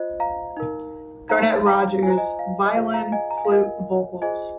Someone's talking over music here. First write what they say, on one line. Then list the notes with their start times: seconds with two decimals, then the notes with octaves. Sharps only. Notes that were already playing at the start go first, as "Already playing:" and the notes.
Garnet Rogers: violin, flute, vocals.
Already playing: F4 C5 D#5
0.20 F5 A#5
0.57 D#4 A#4
1.29 D#4 C5 F5 A#5
1.66 F5 A#5
2.02 F4 G#5
2.07 C5 A#5
2.17 D#5 G#5
2.39 F5
2.66 D#5
2.76 F4 G#4 C5 F5
2.94 F5 A#5
3.12 D#5 G#5
3.31 A#5
3.38 G#5
3.45 F5
3.49 F4 A#4 D#5 G#5
4.22 F4 G#4 C5 D#5 G#5